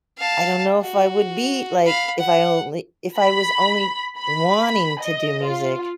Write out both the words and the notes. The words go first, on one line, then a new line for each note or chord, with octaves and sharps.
I don't know if I would be, like, if I only if I was only wanting to do music
F5 A5
F#4
F5 B5
F#5
B5
B5
D#5
F4